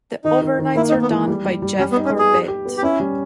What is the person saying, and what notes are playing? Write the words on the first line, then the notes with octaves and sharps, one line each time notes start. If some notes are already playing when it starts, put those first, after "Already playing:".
The overnights are done by Jeff Corbett.
D#3 D#4
D#3
D#3
A#3 E4
D#4
A#3
B3
E3
G3
G3
G3
G3 C#4
B3
D#4
C#4
B3 G#4
G4
G4
B3
G4
C#4 E4
G3